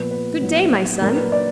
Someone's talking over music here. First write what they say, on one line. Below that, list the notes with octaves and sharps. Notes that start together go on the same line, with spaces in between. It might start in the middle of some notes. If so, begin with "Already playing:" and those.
'Good day, my son!
Already playing: A#2 F3 B3 B4
B4
A#2 F#3 B3 D#4
A#2 F#3 D4 A#4
B4
D5